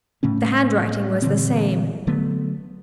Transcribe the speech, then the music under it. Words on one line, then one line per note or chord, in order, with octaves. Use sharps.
The handwriting was the same!
A2 C#3 A3 C#4
A#2 D3 E3 C4
D3 F#3 A3 B3